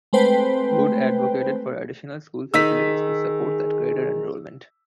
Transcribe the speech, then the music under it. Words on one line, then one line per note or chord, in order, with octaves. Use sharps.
Wood advocated for additional school facilities to support that greater enrollment.
G#3 A3 C4 B4 C5 G5
D#3 D#4 G#4 E6 B6